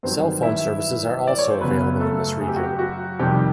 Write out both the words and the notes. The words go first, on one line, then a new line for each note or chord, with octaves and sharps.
Cell phone services are also available in this region.
G2 D#3 F#3 C4 C5
E4 E5
D5
C#5
C5
F#2 C#3 F#3 B3 B4
A3 A4
G#4
G4
F#4
G4
F#4
F2 C3 D#3 G3 G4